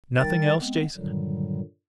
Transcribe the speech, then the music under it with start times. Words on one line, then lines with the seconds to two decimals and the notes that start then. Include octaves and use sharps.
"Nothing else, Jason?"
0.18 D#3 G3 D#4 A#4 G5 A6
0.60 G#3 B3 C4
0.97 G2 A#2 D3 D#3 F#3 G3